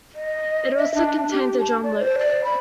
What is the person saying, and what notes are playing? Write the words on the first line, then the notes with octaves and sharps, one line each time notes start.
It also contains a drum loop.
D#5
E5
D4
D4
G4
A5
D5
C5
D5
B5